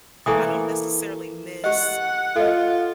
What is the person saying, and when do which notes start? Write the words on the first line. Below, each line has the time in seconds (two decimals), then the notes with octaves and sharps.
I don't necessarily miss,
0.26 E3 A3 A#3 A4 G#5 D#6
1.64 G4 D#5 F#5
2.36 F4 A4 D#5